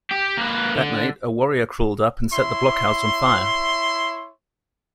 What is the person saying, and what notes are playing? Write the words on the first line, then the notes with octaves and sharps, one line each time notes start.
That night, a warrior crawled up and set the blockhouse on fire.
G4
A#3 B4
D3
E4 C#5 E5 C6